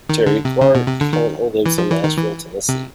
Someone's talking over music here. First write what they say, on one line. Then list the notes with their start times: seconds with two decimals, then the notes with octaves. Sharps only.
Terri Clark currently lives in Nashville, Tennessee.
0.09 D#3
0.26 D3
0.45 C3
0.61 C#3
0.75 B2
0.87 C3
1.01 D3
1.13 D#3
1.66 E3
1.78 F3
1.91 E3
2.04 D#3
2.17 E3
2.69 C3